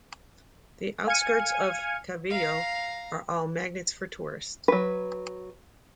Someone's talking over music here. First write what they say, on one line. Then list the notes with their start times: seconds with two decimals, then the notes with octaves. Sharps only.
The outskirts of Calvillo are a magnet for tourists.
1.07 F5 G#5 F6 G#6 C#7 D#7
2.30 F5 A#5
4.68 F#3 B4